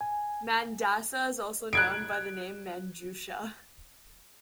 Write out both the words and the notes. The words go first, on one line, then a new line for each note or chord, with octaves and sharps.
Mandasa is also known by the name "Manjusha".
G#5
F#6 G#6 D7